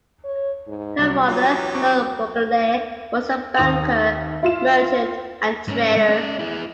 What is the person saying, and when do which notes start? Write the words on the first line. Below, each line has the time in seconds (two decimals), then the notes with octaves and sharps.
Her father, John Bulkeley, was a banker, merchant and trader.
0.24 C#5
0.68 G#2
0.98 C2 F#3
1.28 E3 F#3 D#4 F4 G4
1.74 C4 C#6 D6
3.57 D#2 D#6 F7
4.43 E4 F4 E7
5.68 G#2 C#4
5.97 G#3
6.09 C#4 D5
6.39 E4 G#4